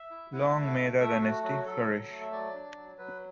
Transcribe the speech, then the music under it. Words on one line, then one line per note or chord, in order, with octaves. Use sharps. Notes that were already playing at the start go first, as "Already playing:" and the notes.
Long may the dynasty flourish.
Already playing: E5
E4
E4 F#5
A3
F#5
A3
A3 E5
A3 F#4
F#3 F#4
F#3 A4
F#3
A3
E5
F#3 D5
D4
F#3
F#3 B4